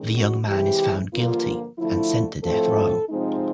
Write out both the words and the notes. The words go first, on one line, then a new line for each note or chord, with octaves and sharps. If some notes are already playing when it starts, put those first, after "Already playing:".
The young man is found guilty and sent to death row.
Already playing: D#3 G#3 C#4
F#4
C3 E3 G#3 G4
G2 D3 F3 A#3 F4
D3 F3 A3 E4
A2 F3 A3 C4 A4
C3 F3 G#3 C4 D#4